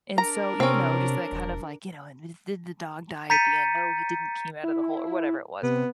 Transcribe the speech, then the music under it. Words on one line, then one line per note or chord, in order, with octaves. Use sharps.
And so, you know, just that kind of like, "You know, and, th th the did the dog die, at the end." no, he didn't came out of the hole or, whatever it was.
D4 A#4 A#5
C3 C4 C#4
E1
A#5 G6 A6 B6 C#7 D#7
E4
C3 B3